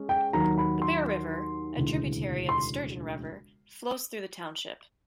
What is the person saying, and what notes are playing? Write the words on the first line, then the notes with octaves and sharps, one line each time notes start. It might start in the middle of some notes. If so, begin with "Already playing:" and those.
The Bear River, a tributary of the Sturgeon River, flows through the township.
Already playing: G#3 C#4
G5
D#2 D#3 F#3 A#5
B5
C6
E1 D2 C#3 E3
C6